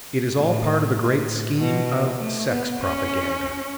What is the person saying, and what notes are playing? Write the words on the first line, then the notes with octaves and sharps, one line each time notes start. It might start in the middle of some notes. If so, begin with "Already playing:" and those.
It is all part of a great scheme of sex propaganda.
A2
A2
B2
A3
B3
C#4